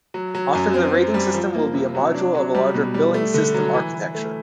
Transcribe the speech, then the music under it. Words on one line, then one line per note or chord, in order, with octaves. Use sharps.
Often the rating system will be a module of a larger "Billing System" architecture.
F#3
F#3
F#2
C4
C4
G3
F3
A#3
C3
F#3
D4
F#3
G3
B2
G3
A3
D3
F#3
E3
E3
A3